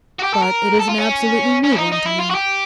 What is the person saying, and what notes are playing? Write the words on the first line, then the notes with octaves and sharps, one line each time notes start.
'But it is an absolutely new one to me.
F#4
G4
A4
A#4
A4
F4
C#4
C#4
E4
D#4
D#4
E4
F4
F#4
G4